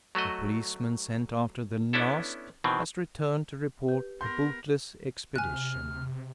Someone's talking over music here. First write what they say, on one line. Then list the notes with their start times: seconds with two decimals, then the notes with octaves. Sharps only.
The policeman sent after the last has returned to report a bootless expedition.
0.15 F#3 A3 F#4 D#5
1.93 B3 C#4 D4 E4 A4
2.64 B2 D#3 E3 C4
3.89 G4 B4
4.21 B3 A#4 C6 G6
5.36 C3 G#5 F6 F#6